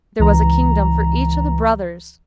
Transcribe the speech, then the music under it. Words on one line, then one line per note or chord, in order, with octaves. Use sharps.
There was a kingdom for each of the brothers.
C#2 E3 A#5